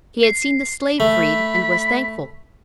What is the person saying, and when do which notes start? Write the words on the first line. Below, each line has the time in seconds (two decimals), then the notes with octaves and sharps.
She had seen the slave freed, and was thankful.
0.23 C7
1.00 A3 B5